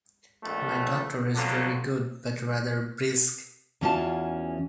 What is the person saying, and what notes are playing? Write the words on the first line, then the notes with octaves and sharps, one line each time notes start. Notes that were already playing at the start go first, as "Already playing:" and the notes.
My doctor is very good but rather brisk.
A#1 F2 A3
F2 D3 F#3
E2 E3 C#4 F4 F#4 A5